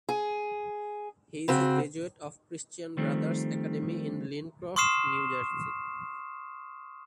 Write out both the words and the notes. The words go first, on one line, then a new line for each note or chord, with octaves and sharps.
He is a graduate of Christian Brothers Academy in Lincroft, New Jersey.
G#4
C#3 C4 F#4
D#3 F3 G3 A3 C4
C6 C#6 D#6 F6 C7 E7